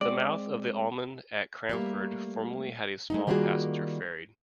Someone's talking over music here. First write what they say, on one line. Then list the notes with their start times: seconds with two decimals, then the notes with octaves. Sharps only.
The mouth of the Almond at Cramond formerly had a small passenger ferry.
0.01 G#3 C4 D5
1.69 G3 A3 A#3
3.10 G#3 A3 D#4
3.27 D#3 G3 A#3 F4 F#4 G#4